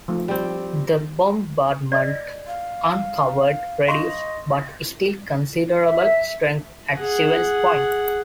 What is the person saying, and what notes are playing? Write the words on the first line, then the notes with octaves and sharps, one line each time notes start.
The bombardment uncovered reduced but still considerable strength at Sewells Point.
F3 A3 D#4
G3 C4
D5 D#5
F5
D#5 F5 C6 C#6
E5
G#4 F#5